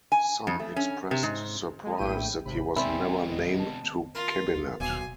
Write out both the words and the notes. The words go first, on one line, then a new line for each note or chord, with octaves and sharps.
Some expressed surprise that he was never named to cabinet.
G#5
F2
A3
C#4
C3
G#2
G#3
A#1 A2 E4 G5 D#7
G#1 C3 B5
B2 G#3 C4 E4 D5 E5 G#5
D#5
A5
F4 A#4
D#1 B1 G#5 C6